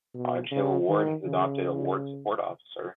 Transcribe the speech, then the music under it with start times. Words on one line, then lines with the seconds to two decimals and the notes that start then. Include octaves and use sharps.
Hodge Hill Ward has adopted a Ward Support Officer.
0.14 B2
0.51 C#3
0.88 D#3
1.25 C#3